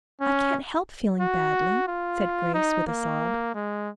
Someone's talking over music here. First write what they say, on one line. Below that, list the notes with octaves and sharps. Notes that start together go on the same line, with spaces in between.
"I can't help feeling badly," said Grace, with a sob.
C#4
F#4
F4
D#4
A#3
G#3